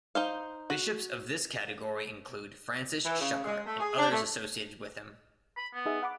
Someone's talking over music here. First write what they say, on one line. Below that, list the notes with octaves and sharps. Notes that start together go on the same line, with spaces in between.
Bishops of this category include Francis Schuckardt and others associated with him.
D#4 C5 F5
F#4
E3
C#3
G#3
A3
G#4
D4
A3
B5
B3
D#4 G#4 E5
F#5 B5 D6